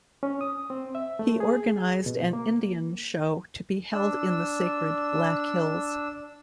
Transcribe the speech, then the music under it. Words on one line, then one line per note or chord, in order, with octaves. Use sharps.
He organized an Indian show to be held in the sacred Black Hills.
C#4
D#6
C4
E5
A3
G#4
B2
A#3
D4 E6